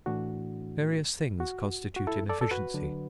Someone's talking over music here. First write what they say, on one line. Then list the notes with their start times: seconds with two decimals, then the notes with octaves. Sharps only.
Various things constitute inefficiency.
0.06 A2 E3 A3 D4 F#4
1.40 F#4
1.96 F#4
2.07 E4 A4
2.30 A4 D5
2.41 A4
2.51 F#4 B4
2.74 D3 F#3 D4